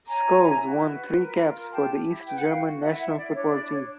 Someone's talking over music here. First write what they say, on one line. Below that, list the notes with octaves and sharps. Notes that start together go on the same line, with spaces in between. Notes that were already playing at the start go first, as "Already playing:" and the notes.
Schulz won three caps for the East German national football team.
C#5 G#5 A#5
E4
F#4
B4
A#4
F4
G4 G5 A5
E4
B4 G5
F#5
F5 G5
F#4
E4 E5 F#5
E5 F#5
E4
D5
D4 C#5
D5
D4
C#5